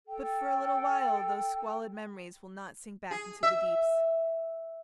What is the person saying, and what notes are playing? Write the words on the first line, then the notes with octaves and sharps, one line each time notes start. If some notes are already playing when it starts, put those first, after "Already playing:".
But for a little while those squalid memories will not sink back into the deeps.
A4 G5
G#4
E5